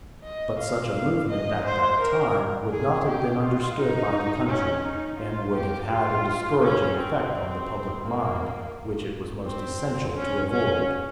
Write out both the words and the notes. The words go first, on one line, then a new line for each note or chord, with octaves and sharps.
But such a movement, at that time, would not have been understood by the country, and would have had a discouraging effect on the public mind, which it was most essential to avoid.
D#5
F5
F5
D#5
C5
A#4
G#4
G4
F4
D#4
C#4
D#4
F4
G4
F4
C#4
C4
C4
A#3
C4
C#4
C#4